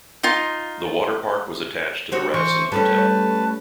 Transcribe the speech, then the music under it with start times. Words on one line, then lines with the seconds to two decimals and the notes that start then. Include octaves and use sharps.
The water park was attached to the Radisson Hotel.
0.23 D#4 F4
2.12 C4 F#4 C#5
2.34 E3 C5 C#6
2.72 G3 A3 C#4 B4 A5